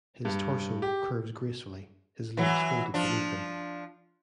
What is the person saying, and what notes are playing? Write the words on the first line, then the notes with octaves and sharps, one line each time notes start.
His torso curves gracefully, his legs folded beneath him.
G2
G4
E3 F#3
F3 D4